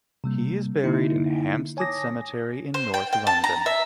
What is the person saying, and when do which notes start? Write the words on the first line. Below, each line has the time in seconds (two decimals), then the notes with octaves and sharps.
He is buried in Hampstead Cemetery in north London.
0.24 C3 G3 A#3
0.84 D3 A#3 D#4 E4
1.77 C#5 G#5 A5 D6 D#6 A#6
2.74 C5
2.94 G5
3.13 G5
3.27 A5
3.44 A#5
3.66 E5